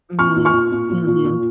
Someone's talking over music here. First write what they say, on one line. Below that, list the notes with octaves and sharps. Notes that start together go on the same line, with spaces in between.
Mhm, mhm.
A#2 C#6 F6
A#2
C#6 F6
A#2
A#2
A#2
A#2
A#2